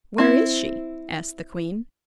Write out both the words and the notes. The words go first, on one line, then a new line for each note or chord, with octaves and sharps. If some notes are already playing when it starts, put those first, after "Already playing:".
"Where is she?" asked the queen.
C4 E4